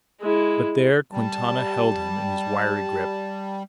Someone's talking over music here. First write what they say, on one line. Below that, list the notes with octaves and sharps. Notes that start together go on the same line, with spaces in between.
But there Quintana held him in his wiry grip.
G#3 E4
G3 A5